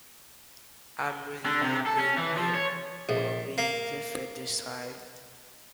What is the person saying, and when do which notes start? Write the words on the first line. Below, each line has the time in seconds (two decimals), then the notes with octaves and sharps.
I'm really hoping it will be different this time.
1.46 D3
1.61 C3
1.87 A4
1.99 C#4
2.18 E3
2.37 F3
2.54 C#5
3.09 A#1
3.58 A#3